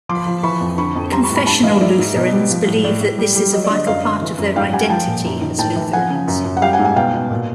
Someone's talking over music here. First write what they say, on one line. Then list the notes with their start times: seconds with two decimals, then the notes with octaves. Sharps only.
Confessional Lutherans believe that this is a vital part of their identity as Lutherans.
0.09 F3 C6 D6
0.26 F3
0.43 E3 B5 C#6
0.61 F2
0.78 D3 B5 C#6
0.95 F2
1.12 G3 A#5 C6
1.23 B5 C#6
1.30 A2
1.35 B5 C#6
1.46 G2 A5 B5
1.63 E3 D#5 F5
1.81 G#2 D5 E5
1.98 G#2
2.15 B2 D#5
2.33 G3
2.50 F3
2.67 A2
2.84 A2 D5
3.01 A2
3.19 G3
3.36 G3
3.52 F#3 D#5
3.64 D5
3.70 D3
3.75 D#5
3.87 F#2 D#5 F5
4.04 D3
4.22 E3
4.38 F#2
4.56 G#2 F5 G5
4.73 G3 F#5 G#5
4.90 F3 G5 A5
5.07 A#2
5.25 F#2
5.41 D#3
5.58 A2 G5 A5
5.76 E3
5.93 F3 F#5 G#5
6.10 C#3
6.28 F#2
6.45 F#2
6.57 F#5
6.62 G3 F5 G5
6.73 F#5 G#5
6.79 G#2
6.84 F#5 G#5
6.96 B2 F5 G5
7.13 B2
7.31 A#2